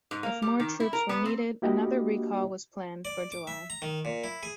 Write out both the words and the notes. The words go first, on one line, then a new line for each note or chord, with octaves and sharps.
If more troops were needed, another recall was planned for July.
G#2
A#3
G3
D#3
E4
A#4
B3
C4
A#3 D4 E4 F#4 G4 D#5
D5
D6
E5
A#5
D#3
A#2
E4
G#4